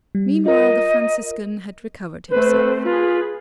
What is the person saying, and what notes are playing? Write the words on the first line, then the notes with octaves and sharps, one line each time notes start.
Meanwhile the Franciscan had recovered himself.
G3
F4 A#4 D#5
A3 C4 B4 C5
F4 G#4 B4